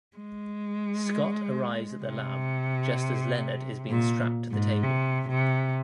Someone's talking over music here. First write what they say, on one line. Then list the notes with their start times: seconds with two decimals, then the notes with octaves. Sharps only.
Scott arrives at the lab just as Leonard is being strapped to the table.
0.17 G#3
2.04 C3
3.90 A#2
4.51 G#2
4.83 C3
5.29 C3